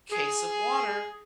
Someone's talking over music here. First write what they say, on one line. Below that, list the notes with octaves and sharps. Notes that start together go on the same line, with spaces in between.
case of water
G#4